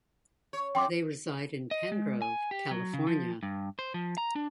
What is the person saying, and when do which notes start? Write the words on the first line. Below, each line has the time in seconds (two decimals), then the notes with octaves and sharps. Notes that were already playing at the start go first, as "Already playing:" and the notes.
They reside in Penngrove, California.
0.53 C#5
0.75 F2 G5 C6 D6
1.71 D#5
1.92 G#3
2.22 G#5
2.51 G4
2.71 F#3
2.93 C#3
3.07 F3
3.43 G2
3.79 C5
3.94 F3
4.18 A#5
4.36 D4